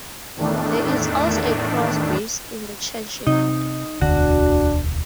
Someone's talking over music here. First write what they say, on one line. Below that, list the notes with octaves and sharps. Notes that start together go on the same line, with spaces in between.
There is also a cross base in the churchyard.
E2 A2 D#3 A3 D4
C3 D#4
E1 D2 D3 D4 F#4